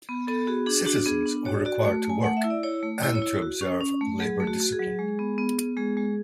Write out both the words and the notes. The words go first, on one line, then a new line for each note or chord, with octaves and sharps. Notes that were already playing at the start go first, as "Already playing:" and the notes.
Citizens were required to work and to observe labor discipline.
B3
B3 A4
F#4 G#4
D4 G#4
D4 F#4
B3 G#4
D4
F#4 C#5
F#4 D5
A3
A3 G#5
A3 F#5
E5
E4
D5
E4 C#5
A3
E4
C#5
E4
F#4
C#4
C#4
A3
F#3 G#4
A3
F#4
F#4
G#4
F#3
G#3
B3
B3
B3
G#3 G#4
G#3